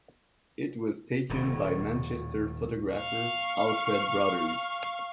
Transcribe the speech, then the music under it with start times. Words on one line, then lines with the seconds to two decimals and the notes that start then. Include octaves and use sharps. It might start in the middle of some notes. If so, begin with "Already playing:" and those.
It was taken by Manchester photographer Alfred Brothers.
1.30 D#1 A2
2.95 F5 C#6